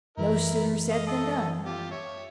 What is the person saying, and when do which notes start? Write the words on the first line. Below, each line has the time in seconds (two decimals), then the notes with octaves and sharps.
No sooner said than done.
0.17 F#2 E3 E4 A#4
0.89 D#5 F5
1.07 A3 A4 D#5
1.66 F4 G4
1.91 C#5 E5